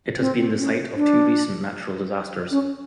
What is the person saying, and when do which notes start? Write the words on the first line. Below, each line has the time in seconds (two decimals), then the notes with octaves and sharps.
It has been the site of two recent natural disasters.
0.19 C4
0.59 C#4
0.96 D4
2.51 C#4